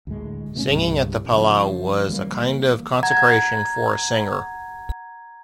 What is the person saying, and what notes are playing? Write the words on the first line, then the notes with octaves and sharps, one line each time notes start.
Singing at the Palau was a kind of consecration for a singer.
D2 A2 G#3
B2 A3 A#3 C#4
C2 G2 C#3
C#3 F3
E3 G3 G#3 A#3
F#5 A#5 G#6